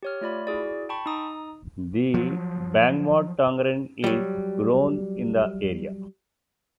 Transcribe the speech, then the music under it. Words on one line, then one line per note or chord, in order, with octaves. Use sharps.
The Bang Mot tangerine is grown in the area.
G4 C#5 F6
A3 F4 D5 B5
E4 F#4 G#4 D5
G5 A5 B5 C#6
D#4 A#5 D#6
F3 F#3
F#3 G3